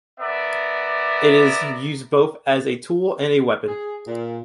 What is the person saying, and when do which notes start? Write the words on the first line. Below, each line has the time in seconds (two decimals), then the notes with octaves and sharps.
It is used both as a tool and a weapon.
0.20 B3 A#4 D5 E5
3.67 G#4
4.06 A#2